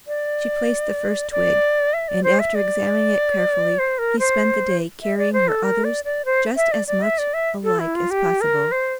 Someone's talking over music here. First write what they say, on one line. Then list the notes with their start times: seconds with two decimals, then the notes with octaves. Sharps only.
She placed the first twig, and after examining it carefully, he spent the day carrying her others just as much alike as possible.
0.08 D5
1.31 D5
1.94 E5
2.08 D5
2.24 C5
2.39 E5
2.55 D5
3.79 C5
3.98 A#4
4.19 C5
5.02 E5
5.18 D5
5.33 C5
5.48 A4
5.63 A#4
5.84 D5
6.05 D5
6.25 C5
6.56 E5
6.72 D5
6.87 D5
7.02 E5
7.18 D5
7.34 E5
7.64 A4
7.80 E4
7.95 F4
8.11 G4
8.41 A#4
8.72 C5